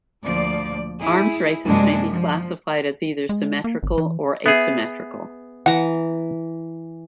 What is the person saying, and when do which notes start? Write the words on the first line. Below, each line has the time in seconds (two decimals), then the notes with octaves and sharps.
Arms races may be classified as either symmetrical or asymmetrical.
0.24 D2 A#2 F3 D5
1.00 E4 G#4
1.63 F#2 C3 G#3 A#3 D4
2.08 F3
3.29 G#3
3.64 A#3
3.83 G#1
3.98 E3
4.46 B3 G#4 E5
5.66 E3 F#5 A#5